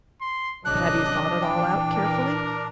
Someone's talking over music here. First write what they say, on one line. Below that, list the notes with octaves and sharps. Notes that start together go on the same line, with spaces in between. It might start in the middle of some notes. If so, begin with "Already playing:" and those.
But have you thought it all out carefully?
C6
A1 C3 F#3 D4 D#5 F#6
A#2 E3 G5
A#4